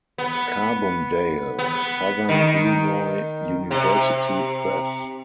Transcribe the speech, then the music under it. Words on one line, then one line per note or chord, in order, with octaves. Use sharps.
Carbondale: Southern Illinois University Press.
B3
B3
D#3
C3